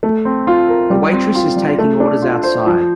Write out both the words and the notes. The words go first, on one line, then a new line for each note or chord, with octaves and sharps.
A waitress is taking orders outside.
A3
C4
F4
A#4
G3
C4
F4
G3
A3
D4
F4
C5
F3